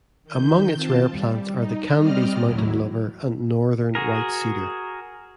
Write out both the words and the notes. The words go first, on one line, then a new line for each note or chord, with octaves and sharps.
Among its rare plants are the Canby's mountain lover and the northern white cedar.
D#3 G6
C4 F4 A5
G3
D#4
G3 C4 D5 D#5 F6
D#2 A2 F#3 E4
F#4 G#4 A#4